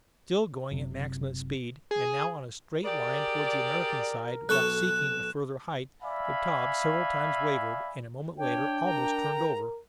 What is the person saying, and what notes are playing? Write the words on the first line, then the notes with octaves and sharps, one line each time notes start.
Still going at maximum speed, and now on a straight line toward the American side, without seeking a further height, the Taube several times wavered, and, a moment later, almost turned over.
F#1 C3
G#4
G4 G#4 A#4 D5
B1 A4 C#6 F#6 E7
D5 E5 F5 G#5 B5
D4 C#5 G5
A#4 A#5